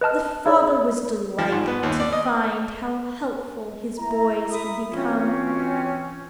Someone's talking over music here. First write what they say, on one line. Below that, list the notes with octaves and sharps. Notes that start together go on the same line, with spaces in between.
The father was delighted to find how helpful his boys had become.
B4 D#5 A5 F6
D#4 G#4 C#5 D5
F3
G#2
B3
D#2
D5
D#5
E4 A#5
E5 B5 D#6
B1 E3 C4 C#4 F4